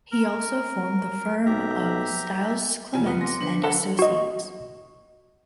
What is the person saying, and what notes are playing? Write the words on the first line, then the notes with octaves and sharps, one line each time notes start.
He also formed the firm of Stiles Clements and Associates.
A#4
B1 G4 E5 A#5
F1 E2 F4 G#5
F#1 B3
C6 D6 A#6
D3 F3 D4 B4
A4 F#5 B5 C6
F#4 D#5